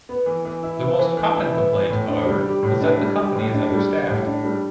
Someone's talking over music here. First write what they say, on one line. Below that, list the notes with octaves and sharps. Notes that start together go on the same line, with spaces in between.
The most common complaint, however, was that the company is understaffed.
B3
E3
E3
E4
B3
E3
E3
E4
B3
E3
A2
D4
G3
G4
A2
D4
G3
G4
A2
D4
G3
G4
A2
D4
G3